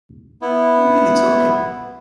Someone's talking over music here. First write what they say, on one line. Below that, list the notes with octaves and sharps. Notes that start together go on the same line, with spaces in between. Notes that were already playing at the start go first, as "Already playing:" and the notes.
We were merely talking.
B3 E4